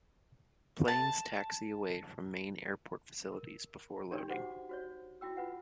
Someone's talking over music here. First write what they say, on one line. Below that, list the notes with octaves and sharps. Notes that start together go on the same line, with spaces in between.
Planes taxi away from main airport facilities before loading.
A5
A#4
D4 D#4 G4 C#5 G5 C6
F#4 G4 C5 F#5 D6
F#4 C5 C#5
E4 F#4 G5 E6
F4 B4 F#5